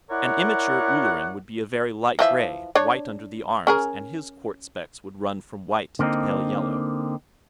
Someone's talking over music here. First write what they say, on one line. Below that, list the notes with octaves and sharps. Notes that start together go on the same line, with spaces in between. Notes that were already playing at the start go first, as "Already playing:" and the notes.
An immature Ulleran would be a very light gray, white under the arms, and his quartz-specks would run from white to pale yellow.
E4 A#4 C#5 D5 F#5
E3 F3 E5
D4 C#5
C#4 G#4 A#4
D3 A#3 C4 D#4